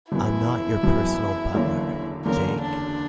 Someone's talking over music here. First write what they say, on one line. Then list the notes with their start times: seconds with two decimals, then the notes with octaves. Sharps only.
I'm not your personal butler, Jake.
0.12 F#1 F#2 E3 B3 E4
0.83 F#1 F#2 E3 B3
1.54 F#1 E2 D3 A#3 C#4
2.25 F#1 E2 D3 A#3 C#4 A#4
2.62 D4